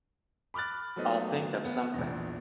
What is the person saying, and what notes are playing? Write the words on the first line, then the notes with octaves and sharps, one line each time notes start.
I'll think of something.
B5 D6 F6 F#6 A6
F#3 A3 B3 D#4 C5 D#5
B3
A#1 E2